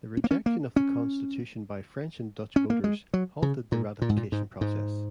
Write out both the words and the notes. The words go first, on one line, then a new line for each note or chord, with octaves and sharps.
The rejection of the Constitution by French and Dutch voters halted the ratification process.
C#4
A#3
C#4
A#3
C#4
C#4
A#3
G#3
F#3
C#3
A#2
A#2
G#2
A#2
G#2
G#2